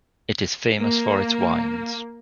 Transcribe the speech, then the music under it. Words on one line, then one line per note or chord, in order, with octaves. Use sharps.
It is famous for its wines.
A#3